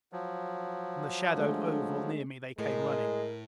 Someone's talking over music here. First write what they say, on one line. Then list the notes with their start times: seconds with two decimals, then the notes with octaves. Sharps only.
From the shadowed oval near me they came running.
0.12 F3 F#3
1.35 D3 G#3 A3
2.59 A2 G#3 A#4